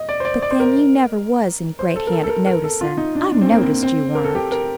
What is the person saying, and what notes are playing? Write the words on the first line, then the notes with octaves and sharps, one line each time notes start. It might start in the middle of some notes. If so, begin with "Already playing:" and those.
But then you never was any great hand at noticin', I've noticed you weren't.
Already playing: D#5
D5
C5
D5
D5
C5
A#4
C5
A4
A#4
A4
A4
A#4
A#4
A4
F4
D#4
D4
D4
C4
A#3
C4
C4
A#4
A4
G4
A#4